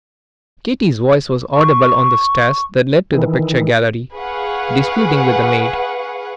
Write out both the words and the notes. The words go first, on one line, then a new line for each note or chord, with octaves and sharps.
Kitty's voice was audible on the stairs that led to the picture-gallery, disputing with the maid.
C#6
D#3 E3
G#4 B4 F5 F#5 C#6